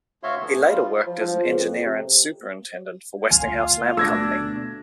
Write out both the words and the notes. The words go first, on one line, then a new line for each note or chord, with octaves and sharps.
He later worked as an engineer and superintendent for Westinghouse Lamp Company.
D2 F#4 C#5 E5 F5 C6
E3 A3 B3
G3 F4
F3
F3
C#2
F2
C3
D2 D3 F4 G#5
B2 A3 D4 E6 G#6 A#6